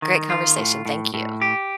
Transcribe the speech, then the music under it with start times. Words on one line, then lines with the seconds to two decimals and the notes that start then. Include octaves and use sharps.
Great conversation, thank you.
0.02 D#3
0.30 F4
0.58 A2
0.86 A2
1.14 A2
1.42 G4